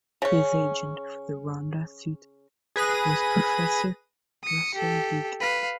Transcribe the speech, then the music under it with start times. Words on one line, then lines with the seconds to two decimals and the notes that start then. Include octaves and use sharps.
His agent for the Rhondda seat was Professor Russell Deacon.
0.22 C#3 C#4
2.76 G#4 B4 A#6 D#7
4.43 D#6 C#7
4.74 G4 A4
5.40 B4 F5